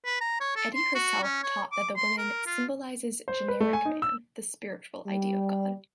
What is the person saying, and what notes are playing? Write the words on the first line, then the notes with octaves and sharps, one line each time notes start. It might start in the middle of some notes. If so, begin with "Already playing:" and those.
Eddy herself taught that the woman "symbolizes generic man, the spiritual idea of God".
B4
A#5
C#5
A4
C6
F#4
C#4
C#5
D6
C6
A#4
F4
C5
B4
A3
G#5
D#4
E6
G3